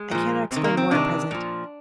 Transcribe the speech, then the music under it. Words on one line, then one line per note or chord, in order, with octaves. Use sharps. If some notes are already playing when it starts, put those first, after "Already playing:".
I cannot explain more at present.
Already playing: G#3
A#2 F3
C3 D#3 C4
A#3
C4
C3 D#3 D4
A#2 F3